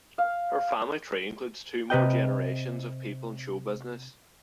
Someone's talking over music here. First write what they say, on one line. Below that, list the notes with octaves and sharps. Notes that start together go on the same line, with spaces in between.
Her family tree includes two more generations of people in show business.
F5
C3 B4 D#5 G5